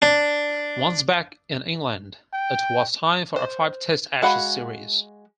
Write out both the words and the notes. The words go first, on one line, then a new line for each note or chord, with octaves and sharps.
Once back in England, it was time for a five-Test Ashes series.
D4
G5
C5
G#3 F#4 F5 F#5 B5